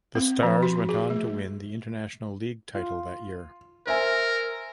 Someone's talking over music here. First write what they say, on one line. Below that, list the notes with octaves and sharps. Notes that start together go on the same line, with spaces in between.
The Stars went on to win the International League title that year.
C4
F3
F#4
G#4
A3
F4
A#4 C5 E5 G#5